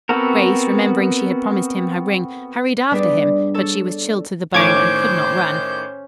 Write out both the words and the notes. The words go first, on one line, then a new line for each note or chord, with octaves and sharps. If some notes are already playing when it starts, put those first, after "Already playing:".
Grace, remembering she had promised him her ring, hurried after him, but she was chilled to the bone and could not run.
B3 C4 F#4 A4 A#4
G3 B3 D4 G#4 B4 D5
A4 C#5 A5
A2 D#3 C#4 C5 D6 G6 G#6